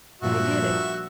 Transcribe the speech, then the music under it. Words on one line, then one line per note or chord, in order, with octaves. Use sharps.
I did it.
G2 A#2 F3 F#4 E5